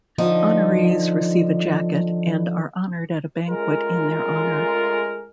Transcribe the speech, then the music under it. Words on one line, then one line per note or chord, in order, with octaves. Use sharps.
Honorees receive a jacket, and are honored at a banquet in their honor.
D3 F3 D#4
G#3 A3 C#4 F4 G#4 A#4